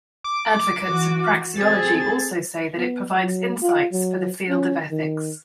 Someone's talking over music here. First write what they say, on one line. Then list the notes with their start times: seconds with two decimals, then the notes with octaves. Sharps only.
Advocates of praxeology also say that it provides insights for the field of ethics.
0.24 D6
0.85 E3 F#4
1.56 C4 G#4 A4 A6
2.77 B3
3.19 F#3
3.62 F4
3.92 F#3
4.49 C#4
4.91 D#3